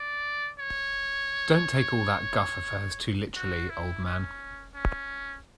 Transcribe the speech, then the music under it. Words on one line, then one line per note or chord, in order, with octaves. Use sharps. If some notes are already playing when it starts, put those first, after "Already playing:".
Don't take all that guff of hers too literally, old man.
Already playing: D5
C#5
F#4
E4
C#4
C#4